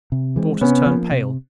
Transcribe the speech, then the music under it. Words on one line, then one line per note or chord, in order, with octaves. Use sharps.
Daughters turn pale.
C3
E3 G#3 C4
C3 B3 C#4
F3
A#3
C3